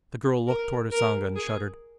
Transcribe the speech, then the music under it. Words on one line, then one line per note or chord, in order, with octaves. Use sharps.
The girl looked toward Usanga and shuddered.
A#4
A#4
G#4